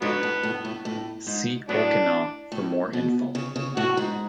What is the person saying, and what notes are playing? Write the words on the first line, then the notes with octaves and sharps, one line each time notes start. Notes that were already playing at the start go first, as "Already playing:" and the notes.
See 'okina for more info.
G#2 D3 F#3 B3
A2
A2
A2
A2
G#2
A2 F#3 B3 D4
A2
B2
C#3
C#3
A2 F#4
G#2